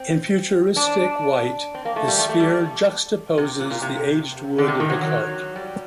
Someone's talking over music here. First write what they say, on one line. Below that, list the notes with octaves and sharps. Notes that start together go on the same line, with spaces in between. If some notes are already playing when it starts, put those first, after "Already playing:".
In futuristic white, the sphere juxtaposes the aged wood of the cart.
Already playing: C4
D4
C4
A#3
A3
G3
A3
A3
G3
C3
A#2
A#2
C3
D3
C3
D#3
F#3
F#3
G3